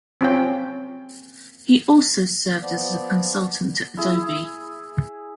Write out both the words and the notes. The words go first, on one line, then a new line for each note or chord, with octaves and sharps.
He also served as a consultant to Adobe.
C4 C#4 F4 G5
F3 B3 D5
E4 G#4